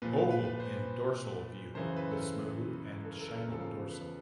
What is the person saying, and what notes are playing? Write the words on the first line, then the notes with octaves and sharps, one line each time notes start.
Oval in dorsal view with smooth and shining dorsum.
A#2 F3 B4
B4
B4
B4
C5
B4
F#2 C#3 E3 C5
B4
A4
A#4
A4
A#4
A4
A#4
A4
A#4
E2 C#3 F3 A4
A#4
A4
B4